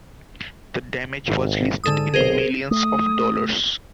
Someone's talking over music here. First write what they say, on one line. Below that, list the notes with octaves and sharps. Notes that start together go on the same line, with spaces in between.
The damage was listed in millions of dollars.
G#1
G#2 D3 A4 D#6
B1 G#4 A#4 C5
A3 D#6